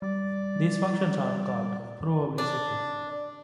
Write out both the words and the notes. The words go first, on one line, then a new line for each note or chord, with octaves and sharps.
Those functions are called provably secure.
G3 D5
D4